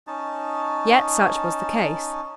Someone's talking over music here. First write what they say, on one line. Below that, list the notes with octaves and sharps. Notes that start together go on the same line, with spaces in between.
Yet such was the case.
C#4 D#4 A5